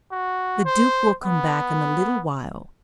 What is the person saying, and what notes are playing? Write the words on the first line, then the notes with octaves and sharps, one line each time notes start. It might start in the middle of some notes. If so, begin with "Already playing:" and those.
The duke will come back in a little while.
F#4
C5
B3